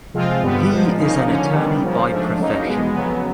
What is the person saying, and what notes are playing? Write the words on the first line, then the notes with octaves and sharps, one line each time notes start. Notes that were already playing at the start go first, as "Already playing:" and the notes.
He is an attorney by profession.
C3 F3 G#3 C4 F4
G2 D3 G3 B3
A#2 F3 G#3
C#3 F3 A#3 D#4
D3 F3 A#3 C#4
C3 D#3 G3 B3
C#3 F3 A#3
G#2 F3 A3 D4
C#3 F#3 A#3 D#4
B2 G#3 B3
F2 C#3 F#3 B3